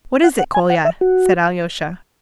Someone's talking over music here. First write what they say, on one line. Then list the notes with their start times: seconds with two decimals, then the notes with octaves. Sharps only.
"What is it, Kolya?" said Alyosha.
0.24 F#5
0.39 F#5
0.55 G#5
0.70 F#5
0.85 E5
1.01 F#4